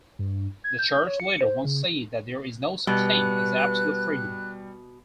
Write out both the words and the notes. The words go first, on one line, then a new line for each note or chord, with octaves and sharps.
The Church leader once said that there is no such thing as absolute freedom.
G2
G#6
G6
C#5
C#7
C5
C#3
B2 G3 B4 F#6